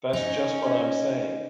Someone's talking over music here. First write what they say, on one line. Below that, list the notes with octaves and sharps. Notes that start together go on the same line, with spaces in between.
That's just what I'm saying.
C#4 D#4